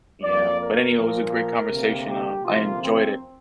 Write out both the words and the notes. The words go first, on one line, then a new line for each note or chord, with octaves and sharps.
Yeah. But anyhow, it was a great conversation, um, I enjoyed it.
F2 F3 A#3 D5
A#4
A#2 F3 A#3
D2 C3 A#3
G4
D2 C3 F3 A#3 F4
C4